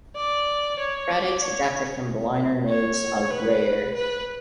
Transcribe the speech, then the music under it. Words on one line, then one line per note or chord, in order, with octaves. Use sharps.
Credits adapted from the liner notes of "Rare".
D5
C#5
D5
C#5
C#5
B4
B4